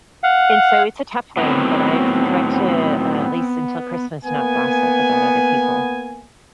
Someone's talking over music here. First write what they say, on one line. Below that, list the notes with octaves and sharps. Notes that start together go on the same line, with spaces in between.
and so, it's a tough one, but I've tried to uh, at least until Christmas, not gossip about other people.
F5 F#5
A2 D#3 F#3 B3 C4
A#3 B3 G#5